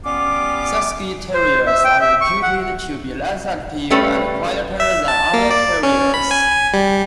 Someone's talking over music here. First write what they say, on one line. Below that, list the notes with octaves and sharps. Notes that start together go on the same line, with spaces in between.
Cesky Terriers are reputed to be less active and quieter than other terriers.
G3 B3 C#4 F4 D6
C5
E5
G5
E5
C#6
F#5
G3 A3 C#4 B4
E5
A5
A#3
D5
C#4
B5
G#5
G#5
G3